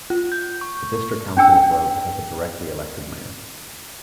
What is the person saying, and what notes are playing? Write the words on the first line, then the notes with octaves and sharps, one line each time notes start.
The District Council of Robe has a directly-elected mayor.
F4
G6
C#6
C#4 D4 G5 E6